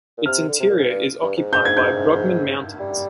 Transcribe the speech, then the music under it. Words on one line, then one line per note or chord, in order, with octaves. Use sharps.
Its interior is occupied by Brugmann Mountains.
A#2
C3 F6
D3
C3
A#2
G#2
G2
G2
G#2
G6
G#6
G6
G3